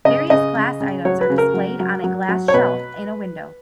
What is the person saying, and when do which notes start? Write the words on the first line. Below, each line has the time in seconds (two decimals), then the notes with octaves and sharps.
Various glass items are displayed on a glass shelf in a window.
0.05 C#3 D#5
0.30 C#3 D#5
0.56 C#3
0.80 C#3
1.05 F#3 C#5
1.21 B4
1.30 C#3
1.38 A#4
1.54 F#3
1.80 F#3
2.04 F#3
2.29 F#3
2.48 C#5
2.54 B2 B4